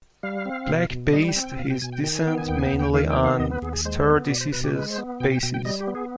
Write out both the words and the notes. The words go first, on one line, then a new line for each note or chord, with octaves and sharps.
Black based his dissent mainly on "stare decisis" basis.
G3 F5
C4
B2
B2
G3 D#5
G5
C4
G5
B2 F5
G5
B2 G#5
G5
D#3 G5
G#5
B3 G5
G#5
D#2 G5
G#5
G5
D#2
G5
D#3 F5
G5
B3
F5
D#2 D#5
B4
D#2 G#4
G#4
G#3 C5
C5
B3
B2 D5
C5
B2 B4
G4
G#3 B4
C5
B3
B2 G5
G5
B2 G5
G5
G3 D#5
G4
B3
G#4